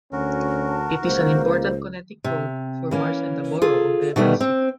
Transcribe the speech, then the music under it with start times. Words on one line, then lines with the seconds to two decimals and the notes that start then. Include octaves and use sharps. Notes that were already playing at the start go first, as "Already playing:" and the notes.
It is an important connecting road for Mars and the borough of Evans City.
0.13 D2 C#4 F#4 A#4
0.68 A5
1.03 C#2 A#3 C5
2.24 C3
2.91 E3 A#3 C#4
3.62 F4 G#4 A4
4.16 B2 D#3 G3 A3 B3
4.41 C4